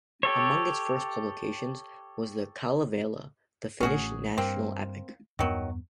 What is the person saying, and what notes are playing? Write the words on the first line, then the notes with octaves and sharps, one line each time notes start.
Among its first publications was the "Kalevala", the Finnish national epic.
G4 A4 C#5
A1 A3 C#4 F#4 G#4
G2 A#3 C4
E2 G2 D#3 F#3 B3